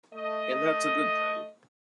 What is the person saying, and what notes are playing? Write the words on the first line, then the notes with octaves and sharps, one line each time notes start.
And that's a good thing.
A3 D#5